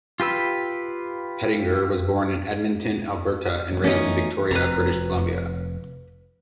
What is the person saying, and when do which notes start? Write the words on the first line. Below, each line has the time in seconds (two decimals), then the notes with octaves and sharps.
Pettinger was born in Edmonton, Alberta and raised in Victoria, British Columbia.
0.20 F4 G4 B4 E6
3.84 E3 A3 B3 C#4 D#4
4.51 F1 C4 B4 A#5